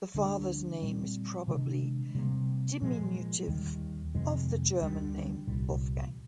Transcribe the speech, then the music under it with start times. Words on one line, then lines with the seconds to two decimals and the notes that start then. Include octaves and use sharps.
The father's name is probably diminutive of the German name Wolfgang.
0.14 D2 D3 G3 D4
0.82 A#2 G3 C4
1.48 C3 D#3 G#3 D4
2.15 C3 G3 A#3
2.82 A#2 F3 G#3
3.48 D#2 D#3 G3
4.15 F2 C3 D#3 G#3
4.81 D2 D3 G3
5.47 C2 A#2 G3